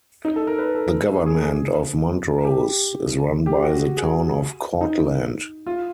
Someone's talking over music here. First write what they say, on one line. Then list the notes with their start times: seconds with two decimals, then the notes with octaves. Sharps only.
The government of Montrose is run by the Town of Cortlandt.
0.25 D#4
0.36 A4
0.47 A#4
0.58 B4
0.75 A4
1.26 G#4
2.45 G4
3.46 G4
3.63 F#4
3.97 G#4
4.81 D#4
5.66 F4